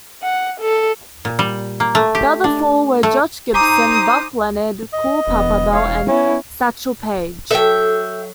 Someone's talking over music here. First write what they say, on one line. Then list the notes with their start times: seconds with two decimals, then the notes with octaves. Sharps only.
The other four were Josh Gibson, Buck Leonard, Cool Papa Bell and Satchel Paige.
0.23 F#5
0.60 A4
1.25 A#2
1.39 G3
1.80 A#3
1.95 A3
2.15 G4
2.44 D4
3.03 A3
3.54 D#4 C5 G#5 A#5 D6 D#6
4.93 D#5
5.27 E1 B3
5.73 C#5 F5
6.08 B3 C#4 E4
7.51 F#3 A4 E5 G5